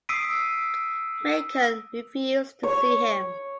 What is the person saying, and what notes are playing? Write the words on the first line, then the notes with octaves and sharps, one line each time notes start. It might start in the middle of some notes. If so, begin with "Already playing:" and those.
Macon refused to see him.
D#6 E6 B6 C7 D7 D#7
C#5